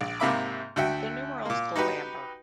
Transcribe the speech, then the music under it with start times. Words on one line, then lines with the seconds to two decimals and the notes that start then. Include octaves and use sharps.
The numerals glow amber.
0.01 A#1
0.20 G#2 C3 A#3 E5 B5 D6
0.76 D2 F#4 E5 G5
1.45 A#2 A#3
1.75 D#4 F#4 G4 B4